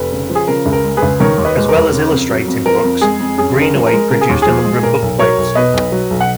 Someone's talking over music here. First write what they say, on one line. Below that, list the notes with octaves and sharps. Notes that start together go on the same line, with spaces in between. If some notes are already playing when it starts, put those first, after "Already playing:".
As well as illustrating books Greenaway produced a number of bookplates.
Already playing: F1 B4
C#3
F3
G#4
C#3 A#4
C#2
A#4
G#3
G#4 B4
C#2
D#3 A#4 C#5
D#2
B4 D#5
G#3
A#4
D#2
C#3
F2
F#3
F2
F3 A#4
F2
G#3 G#4
F2
F#2 G#4
F#1
A#4
F3
A#4
G#3
C#3 A#4
G#4
D#2
F3 G#4
G#3
A#2 A#4
B1
F#3 A#4 C#5
B1
B2 B4 D#5
B1
F#3
B1
F#5